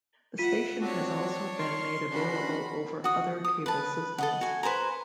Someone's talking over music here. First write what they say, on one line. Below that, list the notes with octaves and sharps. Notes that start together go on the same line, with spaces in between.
The station has also been made available over other cable systems.
F4 E5 F#5 B6 D#7
C4 D4 F#4 C#5
C6 C#6 F6
C#4 D4 F#4 B5
F#4 D#6
D#6
B4 A5
A4 D#5 F#5
F#4 G#5
B4 C5 G#5 A#5